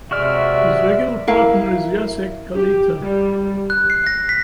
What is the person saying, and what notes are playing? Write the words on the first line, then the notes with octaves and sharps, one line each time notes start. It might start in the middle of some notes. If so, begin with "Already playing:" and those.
His regular partner is Jacek Kalita.
C3 G#3 F#4 D5 E5 C#6 F6
E4 A#4 F5
G4
G3
F#6
C7
A#6
B6